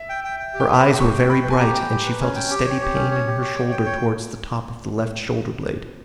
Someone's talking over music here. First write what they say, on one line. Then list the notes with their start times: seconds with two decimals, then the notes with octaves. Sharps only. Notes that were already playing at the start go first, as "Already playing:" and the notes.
Her eyes were very bright, and she felt a steady pain in her shoulder towards the top of the left shoulder-blade.
Already playing: E5
0.09 G5
0.24 G5
0.40 G5
0.54 G4
0.60 G5
0.70 B4
0.80 B5
0.85 G4
1.00 G4 C#6
1.14 G5
1.30 G5 B5
1.45 B4
1.50 G#5
1.60 G4 A#5
1.75 G5
1.90 G4
2.05 B4
2.20 C#4
2.36 G5
2.51 G4
2.66 C#5
2.81 G4
2.95 C#4
3.11 C#5
3.27 G4
3.41 C#5
3.56 G5
3.71 G5
3.86 C#5